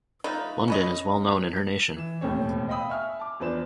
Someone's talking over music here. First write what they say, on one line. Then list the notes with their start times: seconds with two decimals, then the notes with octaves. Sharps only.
London is well known in her nation.
0.24 F3 A3 D#4 B4
0.68 C#4 B4 D#5
1.97 E3 E7
2.21 E1 D#2 A2 C4 C#5
2.69 D#5 F5 G5 B5 D#6 E6
2.89 E5 G#5 C#6 F6
3.19 A5 D6
3.40 E2 F3 D4 B4 C5 E7